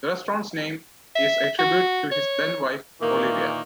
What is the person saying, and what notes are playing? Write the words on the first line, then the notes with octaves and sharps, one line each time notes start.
The restaurant's name is a tribute to his then-wife, Olivia.
E5
F#4
C#5
A#2 D#3 E3 A#3